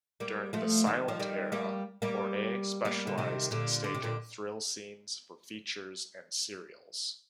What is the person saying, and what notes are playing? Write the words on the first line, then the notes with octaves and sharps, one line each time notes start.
During the silent-era Horne specialized in staging thrill scenes for features and serials.
G3 A#3
F3 A3
D#3 G3
F3
D#3 G3
G3 A#3
G3 A#3
G3 A#3
D3
C3 D#3
A#2 D3
D3
C3
A#2 D3